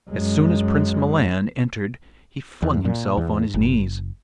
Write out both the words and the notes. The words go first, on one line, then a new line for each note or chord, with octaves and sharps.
As soon as Prince Milan entered he flung himself on his knees.
F#2 G#3
E2
A#2
E2
F#1